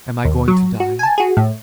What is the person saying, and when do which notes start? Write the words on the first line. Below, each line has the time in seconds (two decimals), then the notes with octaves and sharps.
Am I going to die?
0.25 D#2
0.48 F#3
0.80 F#4
0.99 G#5 A5
1.18 F#4 G#4
1.37 A2